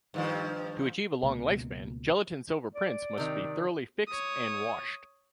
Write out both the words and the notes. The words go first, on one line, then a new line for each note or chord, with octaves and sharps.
To achieve a long lifespan, gelatin silver prints must be thoroughly fixed and washed.
G2 D#3 F3
C#2 B2 A#3
D5
C3 D#3
C#5 D#6